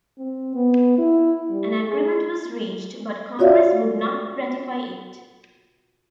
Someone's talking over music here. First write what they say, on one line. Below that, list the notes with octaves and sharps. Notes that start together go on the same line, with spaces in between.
An agreement was reached, but Congress would not ratify it.
C4
B3
E4
G3
G#4
F4 F#4 C#5 D5 E5 F5